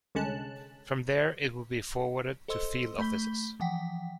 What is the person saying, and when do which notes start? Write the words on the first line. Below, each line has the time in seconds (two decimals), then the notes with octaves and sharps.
From there it would be forwarded to field offices.
0.15 C2 D3 G#3 C#4 A5 F#6
2.48 A4 C5 D#5 C6 E6
2.98 A3 B5 G6 B6 G7
3.60 E3 F3 F#5 G5 B6